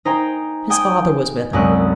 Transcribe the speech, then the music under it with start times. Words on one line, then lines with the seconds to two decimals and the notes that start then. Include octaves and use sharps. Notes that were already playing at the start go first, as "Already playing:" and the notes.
His father was with him.
0.05 D#4 C5 G5 G#5 A#5
0.70 G5 G#5 D#6
1.53 C2 F#2 G#3 A3 C4 F#6